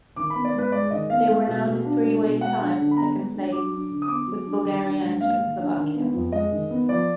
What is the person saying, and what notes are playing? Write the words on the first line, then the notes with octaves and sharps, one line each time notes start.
They were now in a three-way tie for second place with Bulgaria and Czechoslovakia.
D#3 D6
B5
B3
D5
G#2 B4
G#3 D5
D#3 D#5
B3 F5
G#3
B2
B2
D4
G#3
B2
G#3 F#5
D4
D3
B5
B3 A#5
G#3
D4
F#3 D6
D4
D3
D#6
B3 D6
F#3
D4
D#3
D4
G#2
A#3 F5
D#3
D4
D#3
B3
F2
G#3 D#5
D#3
B3
F3 D5